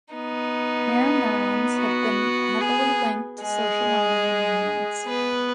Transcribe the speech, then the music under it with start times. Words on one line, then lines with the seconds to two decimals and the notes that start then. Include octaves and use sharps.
Mirror neurons have been heavily linked to social learning in humans.
0.14 B3 D#4
1.79 F#4
2.61 G#4
3.43 G#3 G#4
5.07 B3 B4